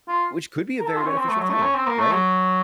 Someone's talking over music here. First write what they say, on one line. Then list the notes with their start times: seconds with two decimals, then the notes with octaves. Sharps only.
which could be a very beneficial thing, right?
0.08 F4
0.80 A#4
0.86 A4
0.97 F4
1.03 C4
1.07 C#4
1.18 C4
1.28 A3
1.39 F#3
1.49 A3
1.62 C#4
1.75 C4
1.87 A#3
1.99 A3
2.11 F#3